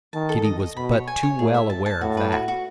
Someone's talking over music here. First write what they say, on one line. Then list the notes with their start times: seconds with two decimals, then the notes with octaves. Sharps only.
Kitty was but too well aware of that.
0.13 D#3 A5
0.29 A4
0.44 D#5
0.60 D#5
0.76 B2 B5
0.92 C#5
1.07 G#5
1.23 C#5
1.39 A2 G#4
1.54 E5
1.70 A5
1.86 A5
2.01 A2 F#4
2.17 B4
2.32 F#4
2.48 F#4